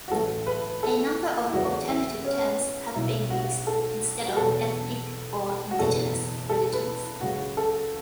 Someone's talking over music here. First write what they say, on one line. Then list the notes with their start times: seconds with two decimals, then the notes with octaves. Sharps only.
A number of alternative terms have been used instead of "ethnic" or "indigenous" religions.
0.08 F#4
0.11 A1 A2 F#3 A4
0.47 B4
0.83 A4
1.48 E4
1.53 E2 C#3 F#3 F#4
1.89 E4
2.25 C#4
2.95 B1 B2 F#3 E4
3.30 F#4
3.67 A4
4.26 F#4
4.37 E2 B2 F#3 A4
5.71 F#4
5.79 F#1 E2 B2 F#3 A4
6.50 A4
6.73 B4
7.21 C#2 C#3 F#3 F#4
7.57 A4